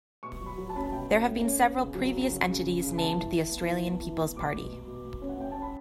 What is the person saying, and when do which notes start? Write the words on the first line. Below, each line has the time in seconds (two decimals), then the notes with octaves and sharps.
There have been several previous entities named The Australian People's Party.
0.23 B2 C#6
0.41 F#3
0.46 B5
0.57 F#3
0.69 A5
0.75 C#4 B5
0.83 A5
0.92 B2 G5
1.09 C#4
1.26 A3
1.44 C#4
1.61 B3
1.78 C#3
1.95 F#3
2.12 C#3
2.30 F#3
2.47 C#3
2.64 C#3
2.81 C#3
2.98 B3 A5
3.15 E3
3.32 E3
3.50 B3
3.67 E3
3.84 B3
4.01 E3
4.18 B3
4.36 B2 D6
4.53 B2
4.71 B2
4.87 B2
5.05 B2
5.21 C#4
5.29 F#5
5.38 C#4 G5
5.51 C#4 A5
5.62 B5